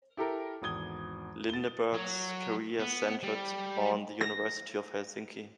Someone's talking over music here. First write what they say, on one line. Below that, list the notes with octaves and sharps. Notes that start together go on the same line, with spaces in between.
Lindeberg's career centred on the University of Helsinki.
E4 G4 A4 A#4
G#1 E2 D#6 G#6 G7
A6 G7
F#3
B3
G3
A#6